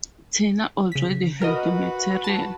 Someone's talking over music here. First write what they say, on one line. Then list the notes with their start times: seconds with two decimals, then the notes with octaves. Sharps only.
Tina already had the material.
0.92 C#3 B6
1.42 F#4 A#4 B4 D#5
2.24 A5